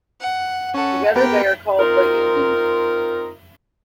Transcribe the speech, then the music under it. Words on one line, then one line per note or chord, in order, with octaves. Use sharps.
Together, they are called 'The Union'.
F#5
C#4 A4 F#5
B3 G4 A#4 G5
C4 D#4 F4 A#4